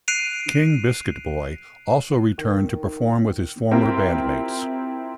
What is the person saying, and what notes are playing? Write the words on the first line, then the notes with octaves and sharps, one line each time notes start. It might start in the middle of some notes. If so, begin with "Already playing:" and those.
King Biscuit Boy also returned to perform with his former bandmates.
F#6 C7 D7 D#7 F7
D#3
C4 E4 F4 G4 A#4